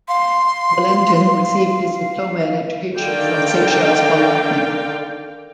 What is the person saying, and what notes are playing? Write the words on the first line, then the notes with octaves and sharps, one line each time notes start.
Valentin received his diploma in education from Seychelles Polytechnic.
F5 C6
D3 D#3 A#4 D5 F5 G5